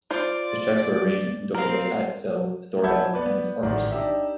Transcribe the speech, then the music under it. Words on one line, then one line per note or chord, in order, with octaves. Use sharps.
The tracks were arranged and conducted by Axel Stordahl and his orchestra.
F4 C5 D5
C4 A#4 F5
E5 F#5 A5 B5 G6 G#6
B3 B4 D5
A1 G#2 D#3 D5 F#5
D4 D#4 G4 E5